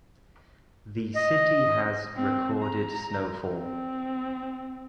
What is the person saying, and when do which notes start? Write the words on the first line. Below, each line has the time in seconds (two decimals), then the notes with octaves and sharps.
The city has "recorded" snowfall.
1.16 D#5
2.16 C4
2.63 A#5
3.55 C4